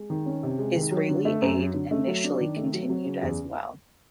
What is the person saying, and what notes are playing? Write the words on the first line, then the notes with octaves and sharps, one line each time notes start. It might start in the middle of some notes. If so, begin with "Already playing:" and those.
Israeli aid initially continued as well.
Already playing: G#3
D#3
C#4
C3
G#3
D#3
F#3
D3
A3
F#2
F#3
D3
A3
F#3
D4
D#3
A3
F#3
F#3
C#3
E2